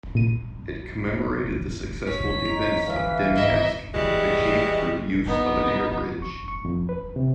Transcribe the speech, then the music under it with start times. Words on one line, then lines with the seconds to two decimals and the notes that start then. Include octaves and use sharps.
It commemorated the successful defence of Demyansk, achieved through the use of an airbridge.
0.15 A#2 D#7
2.07 C#4 C#5 B6
2.45 D#2 G#3 A#5
2.86 D3 E3 A3 F5
3.36 E2 G#2 D#3 D#5 E5
3.93 E3 G3 G#3 F#4
5.27 B3 D#4
6.22 C#6
6.48 C#6
6.65 F2
6.89 B4
7.16 C3